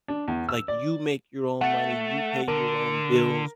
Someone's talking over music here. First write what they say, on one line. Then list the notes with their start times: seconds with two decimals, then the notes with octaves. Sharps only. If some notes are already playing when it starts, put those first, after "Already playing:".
like, you make your own money, you pay your own bills,
0.08 D4
0.28 E2
0.49 E6
0.68 D5
1.61 A3 F#5 A6
2.48 D3 A#4